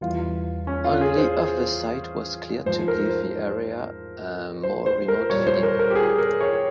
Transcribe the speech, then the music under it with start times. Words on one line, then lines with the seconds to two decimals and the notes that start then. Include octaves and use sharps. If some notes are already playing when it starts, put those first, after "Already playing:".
Only of the site was cleared to give the area a more remote feeling.
0.01 E2 E3 G3 F4
0.67 C#4
0.84 F4
1.01 G#4
1.18 C5
2.65 G#2 F3 C5
2.88 A#4
3.09 C5
4.63 C5
4.86 C5
5.08 A#4
5.30 A#2 G3 C#5
5.47 C5
5.63 A#4
5.79 A#4
5.90 G4
5.95 G#4
6.18 A#4
6.41 C#5